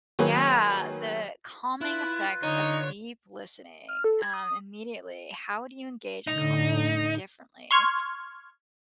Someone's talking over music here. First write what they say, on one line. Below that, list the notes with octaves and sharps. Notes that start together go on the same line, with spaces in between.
Yeah, the calming effects of deep listening, um, immediately. How do you engage in conversation differently?
D#3 F#3 A#3 G#4 B4 C#5
E4 F4 B4
D3 D#4 C#5
F6
A4
G#6
D#6
A2 D3 D#4
C6 C#6 F6 G#6